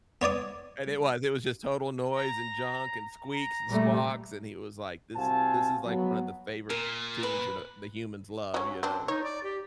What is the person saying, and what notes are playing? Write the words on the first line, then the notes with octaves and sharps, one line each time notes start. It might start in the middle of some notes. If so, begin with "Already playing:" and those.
and it was. It was just total noise and junk and squeaks and squawks, and he was like, "This is This is, like, one of the favorite tunes that, uh, the humans love, you know and"
B3 C#5 D5 D#6
A#5
A#5
A#2 G3 A3
C2 C4 F#4 F5 G#5 A5
F#3 B3
A#2 A#4
B4
F#3 C#4
C4 D4
D#4 C#5
D5
G4